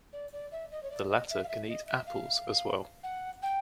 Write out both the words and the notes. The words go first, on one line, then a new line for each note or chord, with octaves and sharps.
The latter can eat apples as well.
D5
D5
E5
D#5
C#5
D5
D#5
E5
F5
E5
D#5
E5
F5
F#5
G5